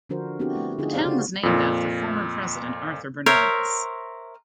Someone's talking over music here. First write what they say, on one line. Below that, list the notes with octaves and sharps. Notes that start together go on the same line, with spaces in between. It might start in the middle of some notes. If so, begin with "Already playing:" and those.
The town was named after former president Arthur Bernardes.
D3 F3 D4 F#4 A#4 C5
B3 C4 D4 E4 F#4 G4
A3
D3 D#4 F4 G#4
G4 C5 D5 F5
C#3 F#4
F2 A#2
A#4 C5 C#5 E5